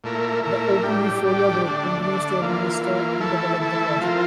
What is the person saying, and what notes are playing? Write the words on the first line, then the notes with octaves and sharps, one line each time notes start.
The openEuphoria Group continues to administer and develop the project.
A#2 A3 E4 A#4
A#2 A3 E4 A#4
A2 G3 D4 G4
A2 G3 D4 G4
D3 A3 D4
D3 A3 D4
E3 A#3 F4
E3 A#3 F4
E3 A3 E4 A4
E3 A3 E4 A4
F3 C4 F4 A#4